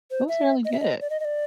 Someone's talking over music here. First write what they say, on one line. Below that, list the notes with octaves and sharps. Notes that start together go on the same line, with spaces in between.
it was really good.
C5
E5
D#5
E5
D#5
D5
D#5
D#5
D5